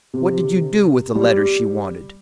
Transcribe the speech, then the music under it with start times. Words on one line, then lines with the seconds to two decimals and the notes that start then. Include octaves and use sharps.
"What did you do with the letters she wanted?"
0.14 C3
1.16 G3